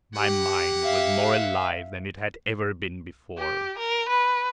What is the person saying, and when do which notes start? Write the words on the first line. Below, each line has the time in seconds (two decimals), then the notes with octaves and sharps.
My mind was more alive than it had ever been before.
0.15 G#3 A#3 G4 F#5
0.84 E5 F5
3.37 G4
3.79 A#4
4.09 B4